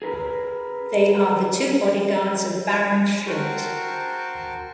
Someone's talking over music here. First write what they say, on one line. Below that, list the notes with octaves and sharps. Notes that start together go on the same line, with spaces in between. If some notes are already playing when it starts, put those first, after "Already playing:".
They are the two bodyguards of Baron Flynt.
G#4 A#4 B4
F#4 A#4 C5 G5 A5 C#6